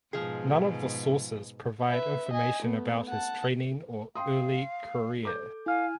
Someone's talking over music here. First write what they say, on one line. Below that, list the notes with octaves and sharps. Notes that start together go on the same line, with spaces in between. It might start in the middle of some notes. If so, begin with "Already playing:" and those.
None of the sources provide information about his training or early career.
G#2 B2 F3 G#4
B4 E5
D#5 G#5
A3 B3
F#5 A5
F5 G5 C6 D#6
A4 D6 G6
E4 F5 G#5 F6